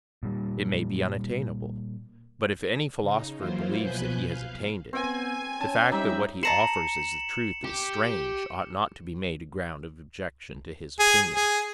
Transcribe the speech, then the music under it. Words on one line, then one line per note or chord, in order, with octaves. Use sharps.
It may be unattainable, but if any philosopher believes that he has attained it, the fact that what he offers as the truth is strange ought not to be made a ground of objection to his opinion.
A#2 G3
C#3 D#4
E3 F#3 A#3 E4 F4 C5
B2 F3 B4 G#5 F#6 G6
F5
B3 C4 G#5
C#4 A5
G3 D#4 E5
A5 A#5 C6 C#7 E7 F#7
G4
G#4
G#4